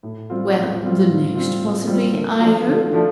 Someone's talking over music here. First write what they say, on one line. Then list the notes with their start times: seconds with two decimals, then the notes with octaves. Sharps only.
'Well, the next possibly, I hope?'
0.03 A2
0.30 G3 C4 F4
0.56 A2
0.82 G3 C4 F4
1.09 A2
1.35 G3 C4 F4
1.61 A2
1.87 G3 C4 F4
2.14 D3
2.40 F3 A3 D4 F4
2.67 D3
2.93 F3 A3 D4 F4